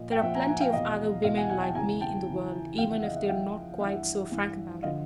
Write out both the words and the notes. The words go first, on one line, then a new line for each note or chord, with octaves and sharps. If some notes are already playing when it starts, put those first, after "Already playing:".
There are plenty of other women like me in the world, even if they are not quite so frank about it.
Already playing: A#2 F3 D#5
G5
A#2 F3 E5 F#5
G#5 A#5
F#5 G#5
F5 G5
E2 B2 D#5 F5
E2 B2 D#5 F5
F#5 G#5
F#5 G#5
G5 A5
E2 C#3 E3 G#5 A#5
G5 A5
E2 C#3 E3
E2 C#3 F3 F5 G5
E5 F#5
D#5 F5
E5 F#5
E2 C#3 F3 F5 G5
G2 E3 E5 F#5
G2 E3
D3 F3 D#5 F5